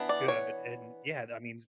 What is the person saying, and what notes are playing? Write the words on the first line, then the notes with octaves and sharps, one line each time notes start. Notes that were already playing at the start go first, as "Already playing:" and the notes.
good, and, yeah, that means
Already playing: E3 B3 D4
D5
C#5